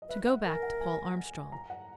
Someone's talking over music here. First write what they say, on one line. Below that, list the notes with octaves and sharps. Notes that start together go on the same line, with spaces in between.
To go back to Paul Armstrong.
D#5
B4 E5
F#5
A#4 G#5
F#5
G#5
A#5
F#5